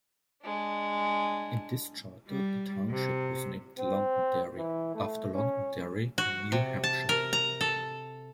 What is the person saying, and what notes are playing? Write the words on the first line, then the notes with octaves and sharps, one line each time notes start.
In this charter the township was named Londonderry after Londonderry in New Hampshire.
G#3 D4
G3
C3
C4
E3
A3
C#4
F#4
C3
A5
A#4
A#5
A4